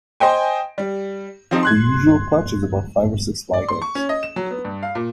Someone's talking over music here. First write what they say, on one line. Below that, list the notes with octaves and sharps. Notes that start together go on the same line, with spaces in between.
The usual clutch is about five or six white eggs.
C5 D#5 G5 G#5
G3
F3 C4 D#4
C6 F#6 G#6
D5
C6
C#6
C#4
D#5
E7
F#3
B3
G2
F5
A#2